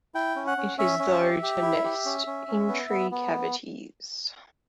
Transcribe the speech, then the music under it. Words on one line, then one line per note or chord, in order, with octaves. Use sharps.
It is though to nest in tree cavities.
E4 G5
C#4
F#5
C#4
C#4 E5
C#4
G4
G4
E4
G4
C#4
C#4
C#4
B3
B3
B3